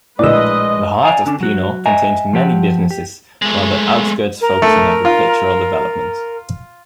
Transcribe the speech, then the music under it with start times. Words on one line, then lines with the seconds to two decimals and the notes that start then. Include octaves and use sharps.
The heart of Penal contains many businesses while the outskirts focus on agricultural development.
0.19 A#1 A2 G#3 B4 D5 D#5 E6
1.03 D5 F5 F#5 G#5 A#5
1.26 D3 C#4 D4
1.40 F#3 F#4
1.86 D#5 E5 G#5 A#5
2.33 F3 G4 F#5
2.91 G4
3.42 G#3 A3
4.41 A#4
4.62 A3
5.05 F4